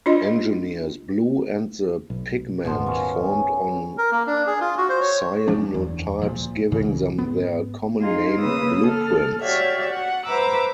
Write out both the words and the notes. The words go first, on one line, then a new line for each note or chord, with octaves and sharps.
Engineer's blue and the pigment formed on cyanotypes-giving them their common name blueprints.
D4 F4 D#5
B1
D#1 G#1 B2 F3 C6
C#3 B3 C#4
A#4
A#3
D4
G#4
F4
F#4
C5
C#5
F1 F3 C#4 D4
F#1 E2
D1 A#2 F3
C#2 A2 C#3 E3
G#1 B3
D#4 F4 G#4
C#3 A#3 B4 D#6 E6
A4 F6
F#4 G4 C#5 D5 E5 F5
F#5
B4 C5 E5 A#5 D6 E6